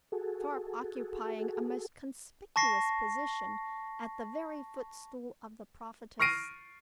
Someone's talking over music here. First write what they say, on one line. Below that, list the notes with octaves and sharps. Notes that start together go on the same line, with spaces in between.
Sharp occupying a most conspicuous position at the very footstool of the Prophetess.
F#4 G#4 A4
A5 C#6 A#6 C7
C#6 F6 A#6 C7 D7 D#7